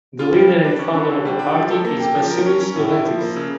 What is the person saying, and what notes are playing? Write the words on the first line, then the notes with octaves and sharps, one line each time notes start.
The leader and founder of the party is Vassilis Leventis.
F4
G3
G3
D4
C#4
D3
D3
G3
D4
F3
A4
A#3
G4
F3
A#4
C#4
C#4
A2
E4
F3
A#3
C#3